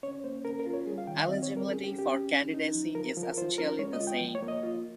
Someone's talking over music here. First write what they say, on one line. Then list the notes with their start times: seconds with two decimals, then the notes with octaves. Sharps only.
Eligibility for candidacy is essentially the same.
0.03 C#4 C#5
0.24 A#3 C5
0.45 C#4 A#4
0.60 A#4
0.66 F4
0.74 C#5
0.87 G3 G#4
0.98 F5
1.07 D#3 G5
1.18 F5
1.28 C4 D#5
1.43 C#5
1.49 G3
1.57 A#4
1.70 C#4 G#4
1.84 G4
1.91 C#4
1.99 G4
2.12 C#4
2.32 C#4
2.54 D#4
2.75 F3
2.95 F3 A#4
3.17 F3
3.23 A#4
3.38 F4 C5
3.58 C#4 A#4
3.79 G#3 C#5
3.93 D#5
4.00 F4
4.07 G5
4.21 F3
4.35 C#5
4.42 A#3
4.48 D#5
4.63 F4